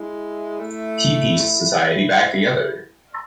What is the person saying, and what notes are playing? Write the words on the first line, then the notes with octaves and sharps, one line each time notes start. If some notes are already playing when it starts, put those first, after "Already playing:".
He pieced society back together.
Already playing: G#3 E4
A3